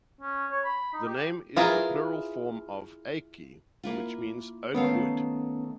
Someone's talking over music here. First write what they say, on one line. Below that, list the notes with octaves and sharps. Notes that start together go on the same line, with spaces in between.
The name is the plural form of "eiki" which means "oak wood".
C#4
C#5
B5
D#4
G4
E4 F4 G#4 A#4 B4
A#3 E4 F4
D#3 A3 B3 C#4 F5